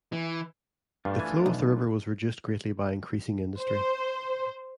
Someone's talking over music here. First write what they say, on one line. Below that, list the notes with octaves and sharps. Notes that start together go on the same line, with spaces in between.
The flow of the river was reduced greatly by increasing industry.
E3
G2 A3 D4 F4
E3 G#5
B1
C5